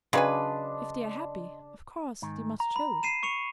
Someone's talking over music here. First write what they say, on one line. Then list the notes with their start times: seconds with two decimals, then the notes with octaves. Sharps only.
If they are happy, of course they must show it.
0.13 C#3 F#3 D4 B4 D#5 G#5 C6
2.22 G#2 D#3
2.60 A#5
2.76 B5
3.03 C7 D#7 E7
3.23 C#6 C#7 F7